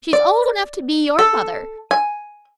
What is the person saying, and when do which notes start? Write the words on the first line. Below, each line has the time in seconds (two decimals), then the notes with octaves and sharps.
She's old enough to be your mother.
0.13 D5
1.19 A4
1.91 G#5